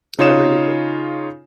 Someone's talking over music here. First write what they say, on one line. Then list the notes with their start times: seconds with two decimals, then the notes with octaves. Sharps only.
I really do.
0.19 C#3 D#4 F4 C#5 D#6 E7